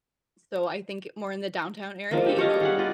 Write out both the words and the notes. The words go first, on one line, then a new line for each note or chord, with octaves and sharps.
So, I think more in the downtown area, you don't
F3 G#3 A#3 D4
G4 A4
G4 C#5 D#5 F5
G3 G#4 F#5
F4 D5 D#5